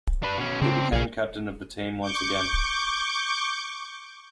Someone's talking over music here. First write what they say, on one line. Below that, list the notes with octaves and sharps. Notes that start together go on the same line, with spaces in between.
He became captain of the team once again.
D4 B4
B2 C#4
C#3 C4 D4
A#1 G#4 F5
C#6 D6 G6